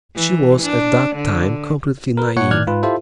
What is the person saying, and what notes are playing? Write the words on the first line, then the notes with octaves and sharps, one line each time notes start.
She was at that time completely naive.
E3
D4
D3
A#4 B4
A#2 C#5 F#5 C#7
A2 D#3 D5 F6 F#6 G#6
G#2 F4 B4
E4 F4 G4 A4 C5 E5